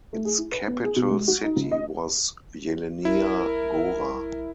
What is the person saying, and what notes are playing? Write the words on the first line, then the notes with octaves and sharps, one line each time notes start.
Its capital city was Jelenia Gora.
A3
G#4
E4
B4
B3
G#4
B2
G#3
F#4
D#4
C#2
D#5
B1 E4 A#4